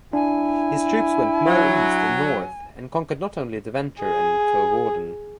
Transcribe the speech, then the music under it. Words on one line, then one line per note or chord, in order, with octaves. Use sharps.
His troops went more east and north and conquered not only Deventer and Coevorden.
D4 E4 G#5
F#3
G#4